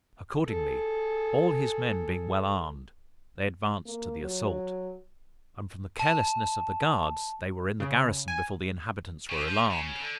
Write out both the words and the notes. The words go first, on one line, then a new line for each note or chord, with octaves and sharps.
Accordingly, all his men being well armed, they advanced to the assault; and, from the carelessness of the guards, they were in the garrison before the inhabitants were alarmed.
G#4 A4
A#3
F#3
A5
C#3
G#5
C#3
F3
C#3
D3